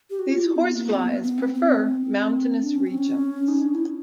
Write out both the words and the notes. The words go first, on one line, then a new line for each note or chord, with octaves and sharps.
These horse flies prefer mountainous regions.
G4
F#4
F4
E4
C4
B3
A#3
C4
B3
B3
C4
C4
D4
C#4
C4
C#4
D#4
D4
E4